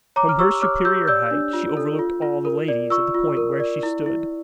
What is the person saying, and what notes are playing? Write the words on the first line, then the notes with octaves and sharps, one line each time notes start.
From her superior height she overlooked all the ladies at the point where she stood.
C#5 A#5 D6
F6
G4 C#6 E6
C#5 D6 F6
G4 E6 G6
D5 E6 G6
D4
F4
A4
F4
F4
A#4
D5
F4 C#6 E6
F4
A#4
D5
E4
E4